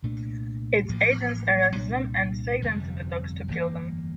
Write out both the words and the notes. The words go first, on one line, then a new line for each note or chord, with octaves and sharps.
Its agents arrest them and take them to the docks to kill them.
C2 A#2 A3 D4
A1 A2 F3 A#3
C2 A#2 G3 D4
G1 F2 C3 G3
G1 F2 E3 A#3